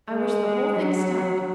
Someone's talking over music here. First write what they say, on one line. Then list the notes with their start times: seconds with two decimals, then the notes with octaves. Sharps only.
I wish the whole thing stopped.
0.10 G#3
0.75 F#3